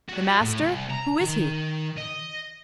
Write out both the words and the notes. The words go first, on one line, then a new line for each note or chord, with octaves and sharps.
"The master?--who is he?"
G3 F#4
A2
C2
A#5
D#3
D#5